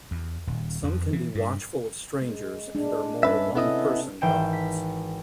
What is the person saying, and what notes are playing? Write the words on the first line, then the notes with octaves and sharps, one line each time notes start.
Some can be watchful of strangers and are more one-person dogs.
E2
D#1
F2
E3
G2
G#3
G#3 D4
G2 C#4 B4 E5
C3 B3 C#4 E4 A4 D#5
G#1 E3 G5 E7
B6